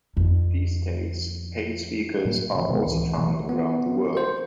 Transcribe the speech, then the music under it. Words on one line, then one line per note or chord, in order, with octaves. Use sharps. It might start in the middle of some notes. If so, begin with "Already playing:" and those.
These days Paite speakers are also found around the world.
F2 D#3
A2 F#3 G3 A#3
C#3 F3
B2 D#3 G#3 B3
C#2 A2 E3
B2 E3 F#3 A3
B3
C5